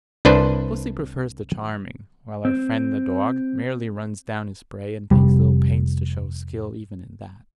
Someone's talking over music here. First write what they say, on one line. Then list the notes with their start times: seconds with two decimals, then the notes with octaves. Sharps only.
Pussy prefers the charming, while our friend the dog merely runs down his prey, and takes little pains to show skill even in that.
0.25 C2 D4 B4 C5
2.45 C4
5.11 F1 C#2 C3 G3